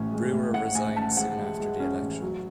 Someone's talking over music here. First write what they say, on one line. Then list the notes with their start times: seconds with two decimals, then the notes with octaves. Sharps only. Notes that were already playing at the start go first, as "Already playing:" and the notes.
Brewer resigned soon after the election.
Already playing: A1 A2 C#4
0.12 G#3
0.33 A2
0.54 A2 F#5
0.75 A2 G#5
0.96 C#4 A5
1.17 G#3 F#5
1.38 G#3
1.60 G#3
1.80 C#4
2.02 A1
2.22 F#3